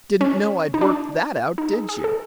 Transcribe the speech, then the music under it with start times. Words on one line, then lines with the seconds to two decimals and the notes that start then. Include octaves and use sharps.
Didn't know I'd worked that out, did you?
0.21 C#4
0.74 D#4
0.81 D4
1.58 D#4
1.73 G#4
1.89 G#4
2.04 A4